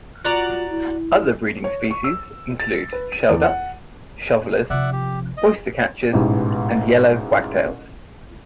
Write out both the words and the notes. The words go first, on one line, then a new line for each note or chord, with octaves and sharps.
Other breeding species include shelduck, shovelers, oystercatchers and yellow wagtails.
F4 F#4 D5 A#5
E4
C#5
C#6
E6
A6
B4
D#7
E2
F#5
C3 F3 D5 E5 F#5
G4
D#5
A1 G#2 B2 E4 G4